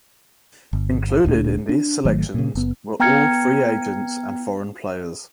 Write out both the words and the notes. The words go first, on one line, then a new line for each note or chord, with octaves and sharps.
Included in these selections were all free agents and foreign players.
G1
D1 D2 A#2 D4
D4
G#1 D#3 F#3 A3
A#2 C#3
F#1 B3
B3 G5 A#5 F6 G#6 C#7